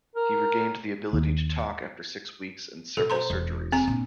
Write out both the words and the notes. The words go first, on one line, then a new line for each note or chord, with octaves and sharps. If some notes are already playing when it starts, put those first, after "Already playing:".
He regained the ability to talk after six weeks and several surgeries.
A#4
D#2
B2 A4
C5 A#5 C6
E1
C4 A#5
A#2 D4